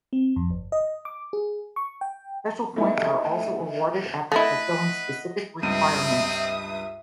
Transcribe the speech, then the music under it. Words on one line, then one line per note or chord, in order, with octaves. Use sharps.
Special points are also awarded after fulfilling specific requirements.
C4
F2
G1
D#5
D6
G#4
C#6
G5
A3 B3 D#4 E4
A3 E4 B4 D#5 F#5 A#6
C#2 G2 C4 E5 D#6 D#7